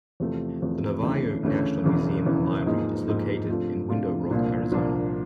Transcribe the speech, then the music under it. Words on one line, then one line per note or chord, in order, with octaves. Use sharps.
The Navajo Nation Museum and Library is located in Window Rock, Arizona.
E2 C3 F3 A3
E2 C3 F3 A3
D2 C#3 E3 A3 C#4
D2 C#3 E3 A3 C#4
E1 E2 C#3 E3
E1 E2 C#3 E3
G#2 F3 A#3 D#4 G#4
G#2 F3 A#3 D#4 G#4
C3 F3 A3 D4 F4
C3 F3 A3 D4 F4
C2 A#2 F3 A#3 D4
C2 A#2 F3 A#3 D4